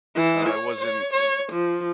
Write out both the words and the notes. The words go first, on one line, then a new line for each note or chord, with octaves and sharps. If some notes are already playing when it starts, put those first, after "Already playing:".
I wasn't
E3
C#5
C#5
C#5
F3